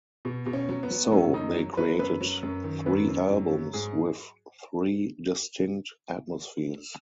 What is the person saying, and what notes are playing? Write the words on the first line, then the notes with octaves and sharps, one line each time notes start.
So they created three albums with three distinct atmospheres.
B2
B2
C#4
F#3
B3
F#3
F#2 C#4
F#2 D#4
F#3
F#3 B4
F#2 B4
F#3
F#2
D#3
F#2 B4
F#2
F#3
F#3
G#2 G#4